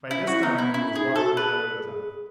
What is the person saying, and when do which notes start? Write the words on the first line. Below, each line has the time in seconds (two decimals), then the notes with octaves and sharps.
By this time he was walking out of the tunnel.
0.11 C#4 E4
0.27 E4 F#4
0.43 B3 D#4
0.58 B3 E4
0.74 C#4 E4
0.95 D#4 G#4
1.16 F#4 A4
1.37 G#4 B4
1.58 A4
1.70 A4
1.79 G#4
2.00 G#4